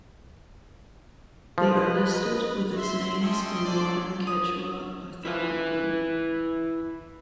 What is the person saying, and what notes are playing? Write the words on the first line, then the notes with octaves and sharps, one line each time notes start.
They are listed with its names in the modern Quechua orthography.
F3 G#3 B4 D#5
E5 C6
C#4 A4 D#5 E5 G5 C6
D4 G#4 A4 C5 D5
D#6
E4 B4 E5